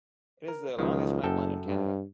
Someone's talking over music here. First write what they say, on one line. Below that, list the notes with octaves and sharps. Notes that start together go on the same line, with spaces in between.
It is the longest pipeline in Canada.
A#4
C#2 D#3 F3 F#3
F#1 F#2 A4 G5
G2